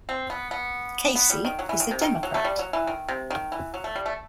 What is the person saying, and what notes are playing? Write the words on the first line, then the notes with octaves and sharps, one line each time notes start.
Casey is a Democrat.
C4
B3
B3
B3
G3
D#3
F#3
E3
D#3
C3
D#3
F#3
A3
G3
F#3
E3
D#3
C3
D#3
E3
F#3
A3
G3
A3